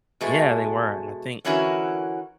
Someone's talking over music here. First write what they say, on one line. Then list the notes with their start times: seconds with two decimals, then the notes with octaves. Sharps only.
Yeah, they were, and I think
0.21 B2 G#3 A3
1.45 D3 E3 C#4 E4 F#4 A#4